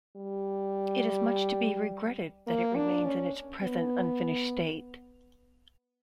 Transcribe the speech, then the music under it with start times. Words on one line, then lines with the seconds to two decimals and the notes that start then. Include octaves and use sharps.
It is much to be regretted, that it remains in its present unfinished state.
0.16 G3
2.46 A#3
2.75 D4
3.04 C#4
3.62 B3